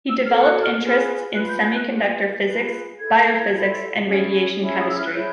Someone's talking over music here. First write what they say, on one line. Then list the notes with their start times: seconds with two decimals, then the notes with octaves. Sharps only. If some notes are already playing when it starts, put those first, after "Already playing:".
He developed interests in semiconductor physics, biophysics and radiation chemistry.
0.08 E6
0.26 F#4 A4 C#5 F6
0.44 F#6
0.62 F6
0.81 F4 G#4 B4 F6
1.34 F4 G#4 B4 F#6
1.48 G6
1.62 G6
1.75 F#6
1.89 F4 G#4 B4
2.43 F4 G#4 B4
2.97 E4 A4 C5 G#6
3.51 E4 A4 C5
4.06 C#4 E4 G#4 C#5
4.60 C#4 E4 G#4 C#5
4.80 D#6
4.89 E6
4.97 F6
5.06 F#6
5.14 E4 G#4 C#5 G6